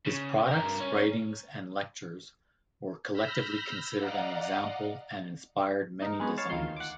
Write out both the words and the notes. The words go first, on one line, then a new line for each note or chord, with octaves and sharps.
His products, writings, and lectures were collectively considered an example and inspired many designers.
C#3
G2 A#4
C#4
B5 E6 F6 G6 A#6 B6
D5 D#5 F5 F#5 A#5
D#4 A#4
G#3 B3 C#5
C#5 F5 A5
D2 D#3 F4 C6
F#5 D6